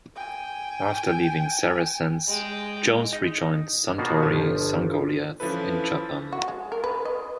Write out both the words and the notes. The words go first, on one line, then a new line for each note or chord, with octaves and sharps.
After leaving Saracens, Jones rejoined Suntory Sungoliath in Japan.
G5 G#5
G#3 G5
D#4 D#5
B2 D#3 A#3 B3 F4 F#4
G1 F3 G4 G#5 A5
E3 F3 C#4 E4 A4 B4
F#4
G#3
A#4
B4
D#5